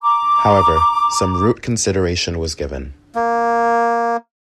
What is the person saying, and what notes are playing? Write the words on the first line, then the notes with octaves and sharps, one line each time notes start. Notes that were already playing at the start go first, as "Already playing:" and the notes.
However, some route consideration was given.
A#5 D6
A#3